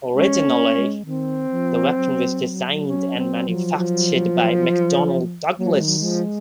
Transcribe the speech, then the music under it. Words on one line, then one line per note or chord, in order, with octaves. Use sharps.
Originally, the weapon was designed and manufactured by McDonnell Douglas.
G#3 C#4
A#3
A#3
G#3
D#3 C4
F3
F#3
C#4
C4
F3
F3
F#3 A#3
G#3
D#3
F#3
F3 G#3